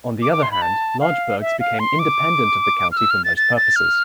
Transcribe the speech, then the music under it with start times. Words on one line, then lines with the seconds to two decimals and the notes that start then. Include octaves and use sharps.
On the other hand, large burghs became independent of the county for most purposes.
0.22 D6
0.32 D6
0.43 C6
0.52 B5
0.62 A5
1.01 F5
1.41 E5
1.60 F5
1.79 C6
1.99 D6
2.92 F6
2.97 E6
3.11 F6
3.25 A6
3.37 A6
3.57 A6
3.76 F6